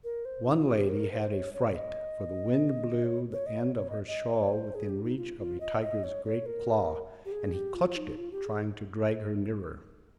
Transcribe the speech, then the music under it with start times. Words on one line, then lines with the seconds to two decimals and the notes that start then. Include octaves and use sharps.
One lady had a fright, for the wind blew the end of her shawl within reach of a tiger's great claw, and he clutched it, trying to drag her nearer.
0.04 A#4
0.25 C5
0.47 D#4
0.62 F4
0.71 G#4
0.75 G4
0.89 A#4
1.11 C5
1.33 C#5
1.54 C#5
1.75 D#5
3.04 C#5
3.32 C#5
3.46 D#5
3.61 C#5
3.75 C#5
3.90 D#5
4.08 D#5
4.32 C#5
4.54 C5
4.75 G#4
4.89 G4
5.04 D#4
5.18 F4
5.39 F4
5.60 D#5
5.82 D#5
6.04 C#5
6.25 C#5
6.46 A#4
7.25 G4
7.32 G#4
7.53 G4
7.75 F4
7.96 D#4
8.18 F4
8.32 G4
8.46 G#4